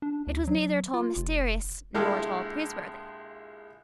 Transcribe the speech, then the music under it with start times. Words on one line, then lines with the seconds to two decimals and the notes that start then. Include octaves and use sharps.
It was neither at all mysterious nor at all praiseworthy.
0.02 D4
0.27 D2
0.47 F#3
0.94 F4
1.17 F1
1.94 A#1 G#3 E4 G4 A4 F5